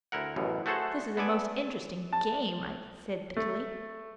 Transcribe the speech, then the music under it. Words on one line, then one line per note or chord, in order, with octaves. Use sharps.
"This is a most interesting game," I said bitterly.
D2 E4 A#4 F#5
A1 F#2 B2
A3 F#4 G#4 A4 C5 F#5
B3 A4 D5 G#5
A5
A3